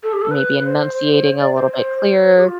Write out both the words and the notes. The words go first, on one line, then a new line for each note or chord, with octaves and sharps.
maybe enunciating a little bit clearer,
A4
G4
A4
B4
C5
D5
C5
C5
G4
F4